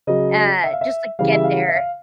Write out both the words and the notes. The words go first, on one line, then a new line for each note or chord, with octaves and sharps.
uh, just to get there.
C#3 F#3 D#5
E5
F5
E5
C#3 E3 G3 F5
E5
F5
E5
F5